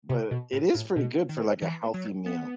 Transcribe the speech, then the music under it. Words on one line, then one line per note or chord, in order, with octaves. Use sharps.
but it is pretty good for like a healthy meal.
C3
B2
A2
A2
B2
D#3
E3
F#3
B3